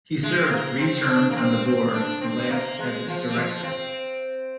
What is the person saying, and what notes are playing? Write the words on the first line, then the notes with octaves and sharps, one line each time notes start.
He served three terms on the board, the last as its director.
G#3
C4
A#3
C4
C4
D4
A#3
C4
C4
D4
C4
A#3
G#3
F3
G3
F3
C4